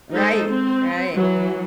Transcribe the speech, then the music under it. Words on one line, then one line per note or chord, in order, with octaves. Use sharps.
Right, right.
G#3 D#4 A4 C5
C4
E3 F#3